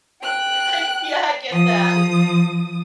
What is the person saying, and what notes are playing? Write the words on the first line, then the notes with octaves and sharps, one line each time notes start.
I yeah, I get that.
G5 F#6
F3 D#6